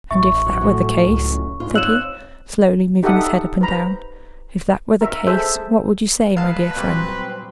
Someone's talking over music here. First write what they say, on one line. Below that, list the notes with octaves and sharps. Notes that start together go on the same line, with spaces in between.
"And if that were the case," said he, slowly, moving his head up and down, "if that were the case, what would you say, my dear friend?"
A1 E5 C#6
F#3
F#2 A2
C#2
G#2 F4
C4 C#5 F5 E6 F#6 E7 F#7
D#4 G4 A4 E5 F#5 D#6
B4 C5 A#5 B5
A#4 E5
G#4 A4 C5 E5
G#3 B4 F5 A5
A#2 F#3 G3 C4 F#6